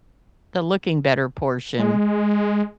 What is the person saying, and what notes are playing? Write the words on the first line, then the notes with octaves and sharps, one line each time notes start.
The looking-better portion
G#3